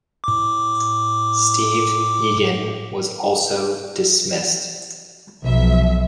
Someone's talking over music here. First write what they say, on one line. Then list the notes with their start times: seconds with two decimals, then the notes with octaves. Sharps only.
Steve Egan was also dismissed.
0.24 A2 D6
5.44 B1 F3 E5